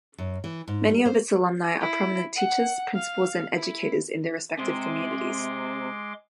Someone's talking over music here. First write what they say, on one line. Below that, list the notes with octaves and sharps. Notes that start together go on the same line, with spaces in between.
Many of its alumni are prominent teachers, principals and educators in their respective communities.
F#2
E3
G#2
G3
C5
E4
F#5
F5
E4
C3 G#3 C6 D6